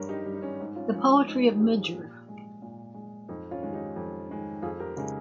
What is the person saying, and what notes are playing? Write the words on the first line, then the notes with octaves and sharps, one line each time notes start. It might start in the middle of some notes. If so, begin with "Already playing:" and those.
The poetry of Mgr.
Already playing: G2 G3 A#4 C#5
D#4 G4
G3
D#4
C#4
G#2 D#4
C#4 F4
F3 G#3 C#4
C#4
G#2 D#4
D#4 G4
G#4
F3 G#3 D#4 G4
A#2
G#3
A#2
G#3
F2 D#4
C#4 F4
D#3 G#3
D#4 G4
F2
D#3 G#3
F2 F4 G#4
G4 A#4
C#3 G#3 D#4 G4